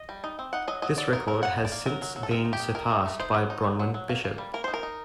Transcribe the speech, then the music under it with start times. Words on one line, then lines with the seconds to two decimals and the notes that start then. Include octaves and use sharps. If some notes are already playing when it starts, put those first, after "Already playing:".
This record has since been surpassed by Bronwyn Bishop.
Already playing: D#5
0.09 G3
0.24 D#4
0.39 C4
0.53 D#4 F#5
0.68 F#3 D#5
0.82 F#3 D#5
0.98 F#3 D5
1.13 D#4 A#4
1.27 F#3 A#4
1.42 A#3 F#5
1.57 D#4
1.65 D5
1.72 A#3
1.86 F#3 A#4
2.02 F#3
2.16 F#3
2.23 A4
2.30 D#3 A#4
2.45 D#4
2.53 G4
2.60 D#3
2.75 D#3 A#4
2.90 D#3
3.06 A3
3.19 D#4 C5
3.34 F#3
3.50 D#4
3.64 F#3
3.79 F#3
3.94 F#3
4.09 A#3
4.24 A#3
4.38 G3
4.54 A#3 A#4
4.64 D#4 C5
4.74 A#4
4.83 D#4